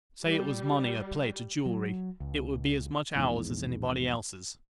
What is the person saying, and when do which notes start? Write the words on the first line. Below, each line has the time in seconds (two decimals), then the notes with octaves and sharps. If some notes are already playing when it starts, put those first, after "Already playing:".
Say it was money, or plate, or jewellery, it would be as much ours as anybody else's.'
0.24 G3
1.66 F#3
2.20 C#2
3.15 A#1 E2 G#2